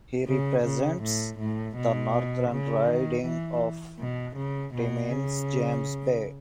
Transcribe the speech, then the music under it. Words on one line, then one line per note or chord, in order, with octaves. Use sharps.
He represents the northern riding of Timmins-James Bay.
C#3
C#3
A2
A2
B2
C#3
D#3
E3
B2
C#3
B2
C#3